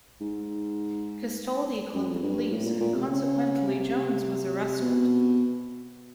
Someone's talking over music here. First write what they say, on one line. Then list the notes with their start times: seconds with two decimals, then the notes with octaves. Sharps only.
Castaldi called the police and consequently Jones was arrested.
0.21 G#2
1.94 F#2
2.08 F2
2.22 G2
2.51 A2
2.66 A#2
2.80 A#2
2.94 C3
3.09 C#3
3.67 C3
4.82 B2